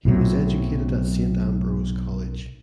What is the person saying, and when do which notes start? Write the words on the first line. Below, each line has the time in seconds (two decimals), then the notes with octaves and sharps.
He was educated at Saint Ambrose College.
0.05 B1 A2 C3 F#3